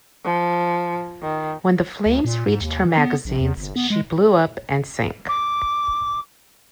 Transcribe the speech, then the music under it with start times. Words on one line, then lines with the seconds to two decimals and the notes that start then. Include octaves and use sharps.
When the flames reached her magazines, she blew up and sank.
0.24 F3
1.22 D#3
2.06 D2
2.25 A#2
2.47 G#2
2.61 D#2
2.86 E3
2.98 B3
3.25 A#1
3.41 E2
3.57 G1
3.76 B3
3.90 G#3
5.29 D6